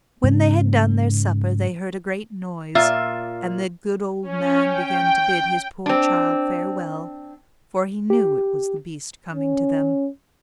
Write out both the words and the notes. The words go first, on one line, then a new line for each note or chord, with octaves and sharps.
When they had done their supper, they heard a great noise, and the good old man began to bid his poor child farewell, for he knew it was the beast coming to them.
G#2 C#3
A#2 F4 E5
C#4
G5
C4 D4
G4
C#4